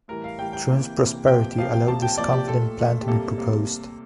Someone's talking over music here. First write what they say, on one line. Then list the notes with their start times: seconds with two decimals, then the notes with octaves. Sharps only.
Troon's prosperity allowed this confident plan to be proposed.
0.08 A2 E3 G3 A#4
0.24 F5
0.39 A2 E3 G3 G5
0.53 G5
0.68 C3 E3 A#3
0.98 C3 E3 A#3
1.27 C3 F3 A#3 G5
1.58 C3 F3 A#3 F5
1.73 G5
1.88 C3 F3 A#3 A5
2.02 G5
2.17 C3 F3 A#3 D5
2.33 G4
2.47 A#2 A3 A4
2.78 A#2 A3
3.01 G4
3.08 C3 G3 A#3 A4
3.38 C3 G3 A#3